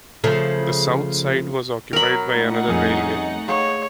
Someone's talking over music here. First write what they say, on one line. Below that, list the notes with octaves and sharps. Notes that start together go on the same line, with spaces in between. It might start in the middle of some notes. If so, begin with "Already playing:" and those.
The south side was occupied by another railway.
C#3 F3 A3
F#3 A#4 B5
A3 D#4 F#5
F2 G3 C#4 G#4
G#4 C#5 F5